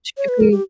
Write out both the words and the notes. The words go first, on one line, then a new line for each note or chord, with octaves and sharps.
She could be
C#5
B4
A#4
G4